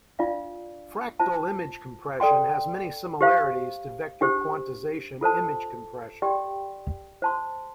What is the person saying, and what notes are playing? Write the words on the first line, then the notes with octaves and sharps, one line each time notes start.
Fractal image compression has many similarities to vector quantization image compression.
D4 F4 D5 F5
F4 C5 A5
A4 D5 G5 C6
G4 C5 F5
D4 G4 C5
F4 A4 C5 A5
G4 D5 G5 C6
C5 A5 C6